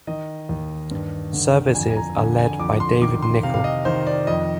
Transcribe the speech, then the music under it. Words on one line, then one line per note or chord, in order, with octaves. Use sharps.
Services are led by David Nicoll.
D#3 D#5
D#2
G2
D3
F2 G#5
G#5
A#5
D3 G#5
G#5
F2 D6
C6
D#3 D6
C6
C3 F5
F5
D#5
D#3 C5
D5
F2 D#5